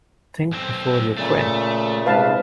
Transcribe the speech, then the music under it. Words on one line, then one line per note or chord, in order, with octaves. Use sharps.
Think before you print.
B1 C4
A#2 C#3 A3
G#2 C3 B4 F5 A5